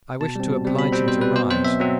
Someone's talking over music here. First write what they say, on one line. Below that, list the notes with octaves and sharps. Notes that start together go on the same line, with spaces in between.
I wished to oblige him to rise.
B2 A5
G3 C4
B2
G3 C4
B2 B5
G3 C4 G5
B2 C5
G3 C4 B4
B2 C5
F#3 C4 C5
B2 E5
F#3 C4